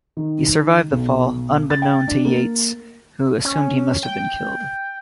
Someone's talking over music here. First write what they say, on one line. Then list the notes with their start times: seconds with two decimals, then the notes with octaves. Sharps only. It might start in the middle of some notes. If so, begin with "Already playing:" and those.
He survived the fall, unbeknown to Yates, who assumed he must have been killed.
0.17 D#3
0.92 B1
1.70 A6
1.82 G5
2.08 D4
2.25 A#3
3.45 C#4
4.03 G5